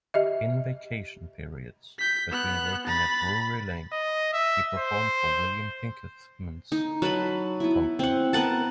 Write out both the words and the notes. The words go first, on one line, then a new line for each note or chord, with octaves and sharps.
In "vacation periods" between working at Drury Lane, he performed for William Pinkethman's company.
G4 D#5 E5
G6 B6
B3 F#6
B5 A6
D#5
E5
C5
D#4
F#3 B4 A5 B5
B3 E4
C4 F#5
B3 A#4 F#5 A5